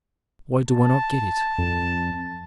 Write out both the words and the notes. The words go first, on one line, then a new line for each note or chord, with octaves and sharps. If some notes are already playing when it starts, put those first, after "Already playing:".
"Why do I not get it?"
A5
F2